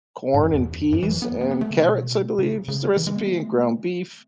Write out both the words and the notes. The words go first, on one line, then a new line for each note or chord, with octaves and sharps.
corn and peas and carrots, I believe, is the recipe and ground beef.
G#2
F#2
E2
F#2
E3
F#3
B3
B3
B3
A3
C#3
B2
C#3
C#3
E3
G#3
B3
A3